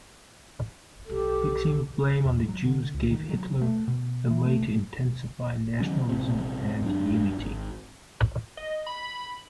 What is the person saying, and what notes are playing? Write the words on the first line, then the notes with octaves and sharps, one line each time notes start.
Fixing blame on the Jews gave Hitler a way to intensify nationalism and unity.
B1 G4 A4
E2
F#3
D3
C#2
D#3
F#3
A3
B2
E3
A3
D#3 F#3 C#4
A#1 C3
F#2 F#3 D4
G#1
D#5
B5